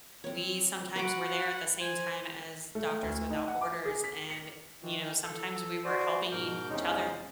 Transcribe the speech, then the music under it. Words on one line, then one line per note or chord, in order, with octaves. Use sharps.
we sometimes were there at the same time as Doctors Without Borders and, you know, sometimes we were helping each other
C4 C#5
F#4 B4 F#5 D6
C5 G#5
A3
D2
D#4
F#5
D6
G#4
B6
C#7
D#3 E3
A4
F#4 C5 D5
G#2 B2 A#4 D6 G6
E2 C3 G#3 C#4 D#4